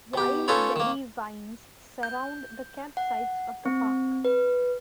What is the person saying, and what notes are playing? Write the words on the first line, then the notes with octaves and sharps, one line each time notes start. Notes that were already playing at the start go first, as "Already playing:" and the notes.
Wild berry vines surround the campsites of the park.
B2 G4
C#4 D#4 F4 A4 B4 C#5
D#3 A#3
G6
F#5
C4
B4